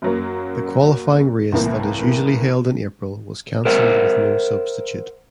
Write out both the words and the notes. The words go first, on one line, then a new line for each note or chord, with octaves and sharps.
The qualifying race that is usually held in April was cancelled with no substitute.
F#2 F#3 A#3
C2 A2 E3 A#3
A#4 C5 E5 F#5